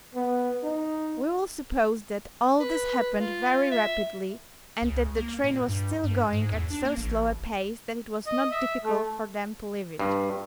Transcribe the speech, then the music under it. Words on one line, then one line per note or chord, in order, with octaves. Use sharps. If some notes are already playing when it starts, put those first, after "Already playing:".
We will suppose that all this happened very rapidly, and that the train was still going at so slow a pace that it was not difficult for them to leave it.
B3
D#4
B4
F4
E5
C#2
A#3
A#2
G2
G2
G#2
E2
D4
A#3
A1
D#5
E5
A3
G2